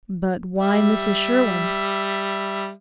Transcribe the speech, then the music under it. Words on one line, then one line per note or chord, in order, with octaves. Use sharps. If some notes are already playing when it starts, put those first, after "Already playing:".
'But why Mrs Sherwin?
G3 E5